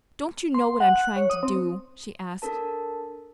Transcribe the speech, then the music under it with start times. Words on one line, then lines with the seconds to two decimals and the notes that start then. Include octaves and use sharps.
"Don't you know what I'm trying to do?" she asked.
0.54 C6
0.80 F#5
0.95 F#6
1.16 C#5
1.30 D#6
1.43 C4
2.42 D4 A4 A#4 A5